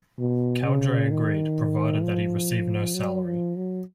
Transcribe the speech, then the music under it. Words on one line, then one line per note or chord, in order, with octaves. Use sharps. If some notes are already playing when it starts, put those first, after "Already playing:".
Cowdray agreed, provided that he receive no salary.
B2
C#3
D#3
F3
F#3
F3
F#3